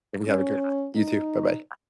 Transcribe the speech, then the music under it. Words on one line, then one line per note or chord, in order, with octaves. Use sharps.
And you have a good You too, bye-bye.
C#4
D#4